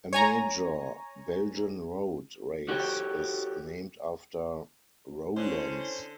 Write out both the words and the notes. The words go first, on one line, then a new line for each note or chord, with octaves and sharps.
A major Belgian road race is named after Roelants.
C#5 G#5 A#5
F#4 G4 A4 C#5 G5
D3 C#4 E4 C5